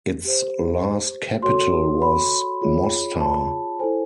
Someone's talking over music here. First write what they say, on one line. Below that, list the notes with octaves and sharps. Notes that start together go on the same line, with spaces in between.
Its last capital was Mostar.
G4 C5
F#4 A4 C#5 C6
B5
F4 G#4 C#5
A5
E4 A4 C5 G#5